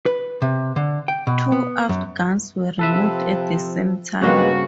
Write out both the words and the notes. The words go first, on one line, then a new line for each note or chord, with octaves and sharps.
Two aft guns were removed at the same time.
B4
C3
D3
G5
B2
B3
F#2
C3 F3 A4 B4 E5
G2 C#3 G#3 A#3 C4 F#4 B4